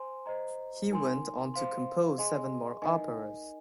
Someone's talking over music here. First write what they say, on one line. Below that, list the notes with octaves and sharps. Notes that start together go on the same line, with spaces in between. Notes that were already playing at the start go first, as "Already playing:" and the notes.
He went on to compose seven more operas.
Already playing: C5 G#5 C6
C5 D#5 A#5
D#4 A#4 G#5 C6
C5 F5 C6
G#4 D#5 G#5 C6
D#4 A#4 D#5 G#5